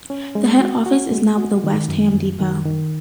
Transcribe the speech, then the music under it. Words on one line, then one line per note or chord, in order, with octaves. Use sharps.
The head office is now at the West Ham depot.
C#4
G#3
F#4
F#4
G#3
F#4
D#3
F#2
F#2
D#3
D#3